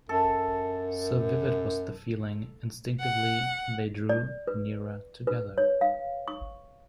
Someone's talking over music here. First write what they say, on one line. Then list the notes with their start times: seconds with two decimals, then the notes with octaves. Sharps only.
So vivid was the feeling, instinctively they drew nearer together.
0.09 F#2 A4
3.00 F#5
4.09 D5
4.47 B4
5.27 B4
5.58 C#5
5.81 F5
6.28 C#6